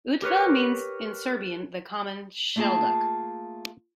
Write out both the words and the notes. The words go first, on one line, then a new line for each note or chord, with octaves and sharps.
Utva means in Serbian the common shelduck.
G4 A#4 B4 C#5
A3 A#3 F4 G#4 A5